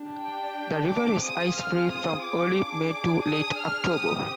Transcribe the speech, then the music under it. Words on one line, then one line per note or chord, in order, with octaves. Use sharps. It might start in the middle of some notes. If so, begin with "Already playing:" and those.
The river is ice-free from early May to late October.
Already playing: D4 G4
G5
D6
C4 F4 G#4 D#6
F6
D#6
D6
D4 G#4
D#6
F6
C4 G4 D#6